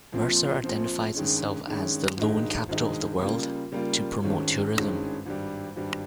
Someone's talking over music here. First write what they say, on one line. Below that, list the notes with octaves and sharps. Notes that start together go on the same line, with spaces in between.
Mercer identifies itself as the "Loon Capital of the World" to promote tourism.
A#1 A#2 F3 C4
A#1 A#2 F3 C4
G2 D#3 G#3 C#4
G2 D#3 G#3 C#4
G#1 G2 D#3 G#3 D#4
G#1 G2 D#3 G#3 D#4
C#3 G3 A#3 F4
C#3 G3 A#3 F4
G#1 G2 D#3 G#3 C#4
G#1 G2 D#3 G#3 C#4
G#1 G2 G3
G#1 G2 G3